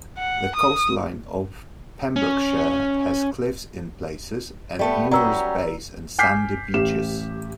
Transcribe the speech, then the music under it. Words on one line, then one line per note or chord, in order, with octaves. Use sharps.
The coastline of Pembrokeshire has cliffs in places, and numerous bays and sandy beaches.
F#5
D#6
C#4
G3 A3 B3
F#3 G3 C#4 D5 A#5 E6
G#5 D6 F6 G6 B6 C7
A1 G4 E7